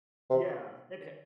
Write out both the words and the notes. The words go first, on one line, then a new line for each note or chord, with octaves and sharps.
Yeah, it ha
C3